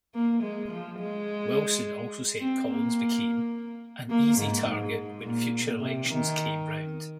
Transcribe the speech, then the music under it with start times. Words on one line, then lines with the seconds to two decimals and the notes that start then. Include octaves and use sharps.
Wilson also said Collins became "an easy target when future elections came round".
0.14 A#3
0.43 G#3
0.71 F3
0.99 G#3
2.41 C4
2.69 A#3
4.10 A#3
4.38 G#2
4.67 G#2
5.23 A#2
5.79 C3
6.08 D#3